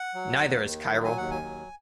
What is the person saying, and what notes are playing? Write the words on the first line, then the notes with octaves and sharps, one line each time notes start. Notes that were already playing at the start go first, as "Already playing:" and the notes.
Neither is chiral.
Already playing: F#5
F#3
D#2
D#3
F#3
G#5
D#2 F#5
G#5
F#3